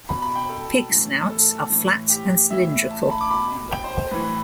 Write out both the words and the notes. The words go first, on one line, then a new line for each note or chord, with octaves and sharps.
Pig snouts are flat and cylindrical.
B2 B5
B5
G5
A4
A2 E3
A4
A2 E3
G4
A2 E3 E5
A5
A5
B5
D6
B2 B5
G5
C5
A2 E3 B4